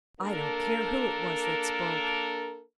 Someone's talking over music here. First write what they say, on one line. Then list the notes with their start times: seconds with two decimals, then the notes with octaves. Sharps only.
I don't care who it was that spoke.
0.21 A#3 D4 A4 A#4